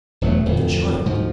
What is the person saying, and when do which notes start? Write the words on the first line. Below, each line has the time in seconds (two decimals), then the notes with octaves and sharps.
And the child?
0.21 E1 E2 F#3 A3
0.45 D1 F2
1.05 D2 G#2 F3